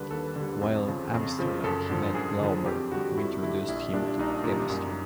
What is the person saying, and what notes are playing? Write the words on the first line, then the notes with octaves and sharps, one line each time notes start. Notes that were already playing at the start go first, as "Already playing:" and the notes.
While in Amsterdam he met Glauber, who introduced him to chemistry.
Already playing: D#2 D3 G3 B4
D#2 A4
D3 G3
F2
C#3 F3
F2
C#3 F3
F#2 A4
D3 F3
F#2 G#4
D3 F3
F2 G4
D3 G3 F#4
F2 E4
D3 G3 E4
A#1 E4
A#2 G3 D4
A#1 D#4
A#2
G3
F#2